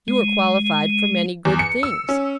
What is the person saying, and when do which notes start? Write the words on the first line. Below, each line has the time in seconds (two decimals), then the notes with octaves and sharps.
You are qualified for many good things.
0.08 G#3
1.45 E2
1.59 C#7
1.83 E6
2.09 C#4